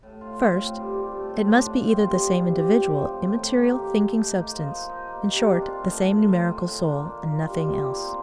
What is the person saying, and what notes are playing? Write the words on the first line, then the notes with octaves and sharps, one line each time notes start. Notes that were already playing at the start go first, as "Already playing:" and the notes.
First, it must be either the same individual, immaterial, thinking substance; in short, the same numerical soul, and nothing else.
A2
F4
A2
C4
G3
G4
A3
A2
D4
F4
C4
G3
F4
C3
G4
G4
F3
A2
D#3
A#3
G4
G4
A3
D#4
A#3
F3
D#4
D#4
A#3
C3
D4
F4
A3
A#4
A2
A2
D#3
D#3
D4
A#3
F4
G3
G3
A#3
C4